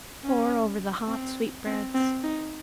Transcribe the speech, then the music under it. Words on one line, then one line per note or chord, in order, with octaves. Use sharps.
Pour over the hot sweetbreads.
C#4
C4
C4
C4
D#4